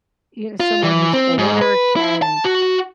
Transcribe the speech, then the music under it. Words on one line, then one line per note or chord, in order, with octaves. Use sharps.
you someone who's older can,
F4
E3
C4
G#2
B4
E4
A5
F#4